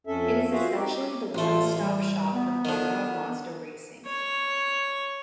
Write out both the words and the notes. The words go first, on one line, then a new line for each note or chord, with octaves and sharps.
It is essentially the one-stop shop for Formula Mazda Racing.
F2 C#4 A4 E5
F4 F#4 G#4 C5 E5 F5
C4 D#4 G4
A1 A3 F4
G3
B3
D3 D#3
C#5